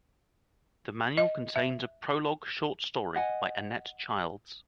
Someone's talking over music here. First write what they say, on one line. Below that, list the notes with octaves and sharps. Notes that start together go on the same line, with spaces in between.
The manual contains a prologue short story by Annette Childs.
D#5
E5
D#5 F#5 G#5